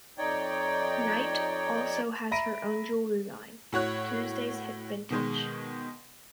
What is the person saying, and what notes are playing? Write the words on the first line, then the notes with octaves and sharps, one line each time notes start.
Knight also has her own jewelry line "Tuesday's Hip Vintage".
F2 D#4 C#5 D5 G5
E5 A#5 B5 A#6 D7 D#7
A2 F#4 C#5 F#6
B2 D#3 G#3